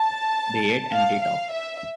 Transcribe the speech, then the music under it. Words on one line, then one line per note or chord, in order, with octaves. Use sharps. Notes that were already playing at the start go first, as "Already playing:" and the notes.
They eat and they talk.
Already playing: A5
F5
F5
E5